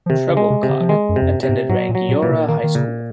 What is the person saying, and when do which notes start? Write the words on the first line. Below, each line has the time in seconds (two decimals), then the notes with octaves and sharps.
Trebilcock attended Rangiora High School.
0.06 F3
0.10 C3 D#3
0.30 C#3
0.37 G#3
0.50 C3
0.63 C3
0.70 C#3
0.80 F3
0.89 D#3 G#3
1.09 F#2
1.16 C3
1.22 F2
1.29 F#2
1.43 C3
1.49 G#2
1.69 G#2 F#3
1.89 A#2
1.95 F#3
2.09 A#2
2.23 A#2
2.29 C3
2.48 D#3 A#3
2.64 D#3
2.75 A#2 C#3